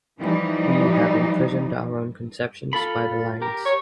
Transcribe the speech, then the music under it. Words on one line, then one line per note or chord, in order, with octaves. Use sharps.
We have imprisoned our own conceptions by the lines.
E3 F3 G3 D#4
F4 A4 B5
G4 A#4
C#5